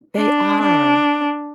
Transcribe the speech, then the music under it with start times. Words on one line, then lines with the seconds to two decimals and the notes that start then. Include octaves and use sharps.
They are.
0.17 D4
0.63 D4